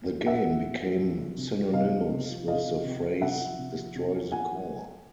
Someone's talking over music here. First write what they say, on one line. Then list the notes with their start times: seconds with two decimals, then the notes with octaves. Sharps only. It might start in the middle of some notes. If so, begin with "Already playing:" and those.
The game became synonymous with the phrase, Destroy the core!
0.09 F3
0.26 A#2 E5 F#5
0.45 F3
0.64 A#2
0.82 F3
1.00 A#2
1.19 F3
1.38 C3
1.56 F3
1.73 C3 D#5 F5
1.92 F3
2.11 C3
2.30 F3
2.48 C3 D#5 F5
2.67 F3
2.85 C3
3.03 F3
3.21 C3 E5 F#5
3.40 F3
3.59 C3
3.76 F3
3.96 C3
4.14 F3
4.32 A#2 F#5 G#5
4.51 F3